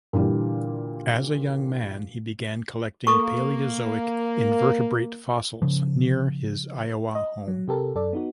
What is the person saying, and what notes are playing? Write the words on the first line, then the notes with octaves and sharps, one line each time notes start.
As a young man, he began collecting Paleozoic invertebrate fossils near his Iowa home.
A#2 D3 E3 G3
A#3 A4 C#6
C#3 F3
D#5
F#3
C3 G4 A4 A#4
F#2 A4 D5
B3 D#4 F#4